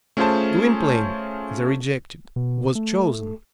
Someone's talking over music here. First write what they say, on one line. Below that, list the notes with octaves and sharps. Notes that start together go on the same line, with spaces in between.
Gwynplaine the rejected was chosen.
A3 C#4 F4 G#4 C5 A5
B2
A3